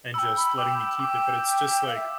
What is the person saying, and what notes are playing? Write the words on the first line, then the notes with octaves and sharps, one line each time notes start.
and just letting me keep it, but it's just like,
G5 B5 E6
B5
G5 D6
G5
G5 D6
F5
E5